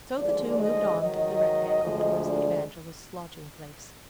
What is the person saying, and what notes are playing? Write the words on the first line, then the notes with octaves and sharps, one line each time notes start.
So the two moved on through the Rectangle toward the evangelist's lodging place.
D#2 D3 F3 G#3 D5
D#5
G#2 D#3 F#3 D#5
D2 D3 F3 G#3
D5